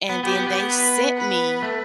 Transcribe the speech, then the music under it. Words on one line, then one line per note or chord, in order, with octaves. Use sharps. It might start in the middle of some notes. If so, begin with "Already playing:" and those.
and then they sent me,
B3
B3 G4
B3
B3
B3
B4
B4
A3